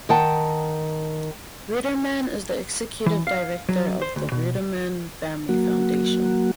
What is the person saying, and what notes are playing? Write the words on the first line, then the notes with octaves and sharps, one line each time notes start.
Ruderman is the executive director of the Ruderman Family Foundation.
D#3 F#5 G5 A5
E3
F5
F#3
C5
D2
B2
F#3 A#3 F#4